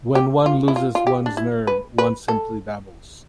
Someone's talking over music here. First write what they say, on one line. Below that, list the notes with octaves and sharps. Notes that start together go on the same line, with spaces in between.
When one loses one's nerve, one simply babbles.
G4
F4
E4
F4
F4
G4
D4
E4
B4
B4
A4